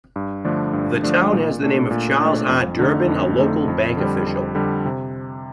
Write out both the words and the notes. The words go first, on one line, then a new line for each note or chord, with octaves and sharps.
The town has the name of Charles R. Durbin, a local bank official.
G2
D3 F3 A3 D4
G2
D3 F3 A3 D4
A#2
A3 D4
A#2
A3 D4
F2
D3 A3 D#4
F2
D3 A3 D#4
F2
D3 G3
F2
D3 G3
C3